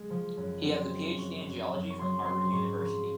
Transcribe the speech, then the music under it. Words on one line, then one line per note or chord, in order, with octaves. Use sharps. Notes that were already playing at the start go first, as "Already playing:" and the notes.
He has a PhD in geology from Harvard University.
Already playing: G#3
F3
F#2
C4
F3
F#2 C#6
F#2
F#2
C#6
F#3 C6
C4 C6
G#2 C#6
F3 C6